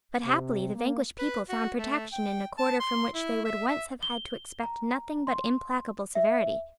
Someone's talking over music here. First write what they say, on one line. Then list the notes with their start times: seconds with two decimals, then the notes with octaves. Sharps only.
But, happily, the vanquished people found protection in a quarter from which they would once have had to expect nothing but implacable severity.
0.24 C3
0.74 A#3
1.19 B4
1.49 F#4
1.78 A3
2.13 G5
2.58 A5
2.80 C6
3.14 E4
3.45 E5
3.68 E5
4.03 G7
4.63 A#5
5.27 C6
6.15 E5